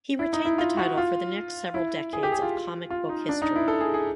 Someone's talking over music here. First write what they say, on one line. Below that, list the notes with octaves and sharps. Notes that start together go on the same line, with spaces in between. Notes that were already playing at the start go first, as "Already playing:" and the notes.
He retained the title for the next several decades of comic book history.
E4
D#4
E4
F4
F#4
F4
E4
G#4
G4
G#4
F4
F4
D#4
D4
D#4
E4
A4
G#4
G#4